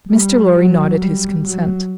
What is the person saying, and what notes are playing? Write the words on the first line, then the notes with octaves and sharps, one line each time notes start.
Mr. Lorry nodded his consent.
G3
F#3
G3
F#3